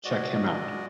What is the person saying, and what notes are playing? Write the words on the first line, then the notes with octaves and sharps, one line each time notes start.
Check him out.
G#3 F#4 D5 D#5